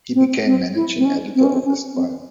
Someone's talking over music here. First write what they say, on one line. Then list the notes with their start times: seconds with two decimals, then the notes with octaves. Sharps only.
He became managing editor of "Esquire".
0.15 C4
0.46 C4
0.75 E4
0.98 C4
1.05 C#4
1.35 C4
1.44 C#4
1.54 C4
1.65 C#4
1.95 C4